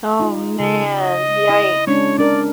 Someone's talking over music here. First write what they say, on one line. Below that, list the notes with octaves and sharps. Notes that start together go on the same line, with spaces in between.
Oh man. Yikes.
D#4 F4
C#3 A4
D#5
E4
G#3 C#4 D4 C#5
D4 A#4 D5